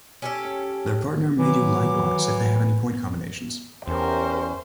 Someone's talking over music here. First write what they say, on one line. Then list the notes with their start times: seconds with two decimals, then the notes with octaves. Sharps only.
Their partner may do likewise if they have any point combinations.
0.22 C#4 G4 A4
1.39 D#3 E3 F#3 D6
3.87 E2 C#4 G4 A#4 C5